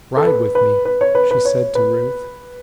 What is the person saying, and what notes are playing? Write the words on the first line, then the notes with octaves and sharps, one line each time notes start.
"Ride with me," she said to Ruth.
A4
B4
B4
B4
C#5
B4
B4
C#5
B4